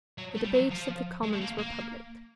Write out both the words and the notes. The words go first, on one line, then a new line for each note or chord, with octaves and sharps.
The debates of the Commons were public.
F#3
A3
G3
F#3
F3
G#3
A3
A#3
A#3